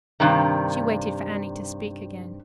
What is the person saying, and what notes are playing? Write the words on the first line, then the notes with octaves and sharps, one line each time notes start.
She waited for Annie to speak again.
G2 C3 D#3